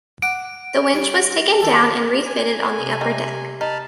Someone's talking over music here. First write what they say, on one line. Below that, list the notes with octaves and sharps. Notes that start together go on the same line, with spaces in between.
The winch was taken down and refitted on the upper deck.
F#5 D6 D7
G3 C#5
D#3 A4 A#4
G#5
C3
G3 A3 D#4
D#4 A5 B5 F6